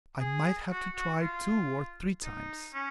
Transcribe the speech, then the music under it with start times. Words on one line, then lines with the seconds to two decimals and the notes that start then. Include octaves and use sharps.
I might have to try two or three times.
0.20 G#4
0.71 F#4
0.96 F#4
1.21 F4
2.23 D#4
2.74 C#4